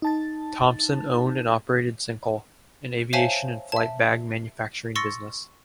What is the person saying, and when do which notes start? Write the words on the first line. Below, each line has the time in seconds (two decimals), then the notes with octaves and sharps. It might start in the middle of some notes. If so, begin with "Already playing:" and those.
Thompson owned and operated Cencal, an aviation and flight bag manufacturing business.
0.02 D#4 A5 A6
3.13 C5 C#5 E5 F5 G#5 A5
3.72 E5 A5
4.96 C6 C#6 E6 A6 A#6 C#7